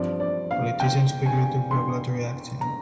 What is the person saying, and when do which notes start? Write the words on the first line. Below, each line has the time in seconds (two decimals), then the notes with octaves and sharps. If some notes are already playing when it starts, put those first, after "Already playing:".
Politicians quickly took regulatory action.
Already playing: G2 F3 C4 D5
0.20 D5
0.51 F5
0.80 G5
1.26 G#5
1.71 C6
2.61 A#5